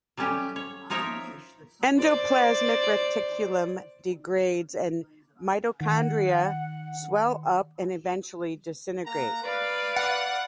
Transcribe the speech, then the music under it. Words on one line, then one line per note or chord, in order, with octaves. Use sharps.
Endoplasmic reticulum degrades and mitochondria swell up and eventually disintegrate.
F#3 G3 A3 C#4 G4
C#5
F3 D#4 A#4 C#5 E5
C5 D5
D#3 F#5
A#3 F#5 A#5
B4 D5 F5
F#5